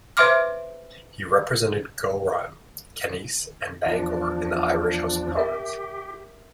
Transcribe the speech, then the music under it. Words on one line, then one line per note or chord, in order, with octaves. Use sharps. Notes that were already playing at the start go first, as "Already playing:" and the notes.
He represented Gowran, Canice and Bangor in the Irish House of Commons.
B4 C5 E5 C6 D6 F6
E2 F3 D4
G4 A#4 E5